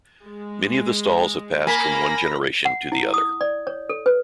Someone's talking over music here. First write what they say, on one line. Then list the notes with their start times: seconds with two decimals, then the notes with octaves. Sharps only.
Many of the stalls have passed from one generation to the other.
0.24 G#3
1.67 A#3 A#4 G#5 B5 A#6 B6
2.65 F#5
2.92 E4
3.14 D#6
3.41 D5
3.67 C#5
3.89 A4
4.06 B4